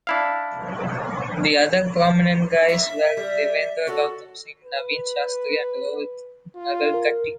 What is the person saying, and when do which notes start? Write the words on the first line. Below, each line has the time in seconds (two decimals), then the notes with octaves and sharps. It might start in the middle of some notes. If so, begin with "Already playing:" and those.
The other prominent guys were Devendra Gautam Singh, Naveen Shastri and Rohit Nagarkatti.
0.07 D4 E4 F5
2.69 E5
3.17 G3
3.87 F#4 A4 C#5
4.64 B4
6.55 F4
6.94 A#4